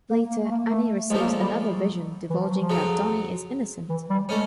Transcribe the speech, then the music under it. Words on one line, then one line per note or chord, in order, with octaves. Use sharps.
Later, Annie receives another vision divulging that Donnie is innocent.
A#3
A#3
A3
A#3
A3
A#1 A2 F3 G#3 A3
A#3
G#3
G3
G#3
F#3
E3
F3
F#3
F3
F2 C#3 F#3
E3
G3
G#3 A3 C#4